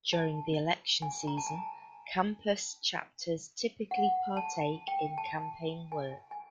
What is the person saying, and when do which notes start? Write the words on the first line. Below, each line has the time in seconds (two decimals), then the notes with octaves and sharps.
During the election season, campus chapters typically partake in campaign work.
0.13 A5
1.02 G#5
1.27 A#5
1.37 A5
1.46 G#5
3.91 F#5
4.37 A5
4.88 G5
5.18 A5
5.92 G#5
6.31 G#5